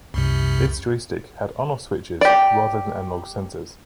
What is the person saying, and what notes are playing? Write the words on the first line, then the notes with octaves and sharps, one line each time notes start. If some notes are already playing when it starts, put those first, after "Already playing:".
This joystick had on-off switches rather than analogue sensors.
C2 F#2 C3
G4 D5